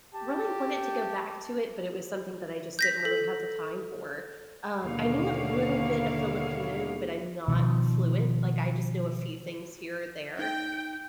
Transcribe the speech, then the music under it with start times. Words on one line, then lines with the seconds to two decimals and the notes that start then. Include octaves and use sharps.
really wanted to go back to it, but it was something that I just didn't really have the time for. Um, I know a little bit of Filipino, but I'm not fluent. Like, I just know a few things here or there.
0.14 G4 A5
2.79 G6 A#6 B6
3.05 A4
4.81 D#2 B2 D3 E4 C#5 F5
7.48 B2 D#3 F3
10.39 D#4 G5